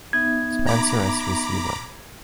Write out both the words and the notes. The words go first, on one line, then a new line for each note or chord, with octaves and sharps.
Spencer as receiver.
B3 D#4 E5 G#6
A#5 B5 D6